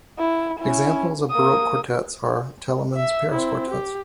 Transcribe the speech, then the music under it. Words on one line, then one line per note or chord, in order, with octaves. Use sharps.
Examples of baroque quartets are Telemann's Paris quartets.
E4
C#4 E4
A#3 D#6
E5
C4 E4
G4